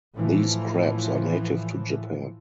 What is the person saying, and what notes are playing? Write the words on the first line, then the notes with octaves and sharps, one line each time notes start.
These crabs are native to Japan.
A2 E3 F3